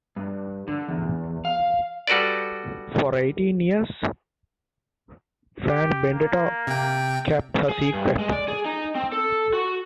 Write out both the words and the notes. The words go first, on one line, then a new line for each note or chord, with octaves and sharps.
For eighteen years, Fran Benedetto kept her secret.
G2
D3
E2
F5
G3 F#4 A4 B4 D5
G4
A#3
C3 G5
G#4
G2
G#3
D5
G#4
D#4
C4
A4
F#4